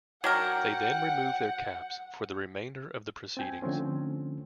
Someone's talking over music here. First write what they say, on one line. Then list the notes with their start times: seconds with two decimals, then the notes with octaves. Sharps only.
They then remove their caps for the remainder of the proceedings.
0.24 F#3 D4 A#4 F#5 G5
3.37 C4 G5 G#5
3.62 D3 F3 A3 C4 C#4